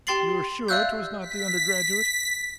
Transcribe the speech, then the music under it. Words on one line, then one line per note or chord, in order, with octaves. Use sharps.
"You are sure 'twas not the undergraduate?"
G4 G5 C6 A6 C7 F#7
D5 E5 F5 E6 F#6 G6
B6